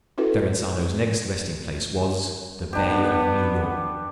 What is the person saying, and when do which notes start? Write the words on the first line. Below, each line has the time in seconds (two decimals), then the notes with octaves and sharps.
Verrazzano's next resting-place was the Bay of New York.
0.18 C#4 E4 F#4 A4 B4
2.73 B3 D4 G4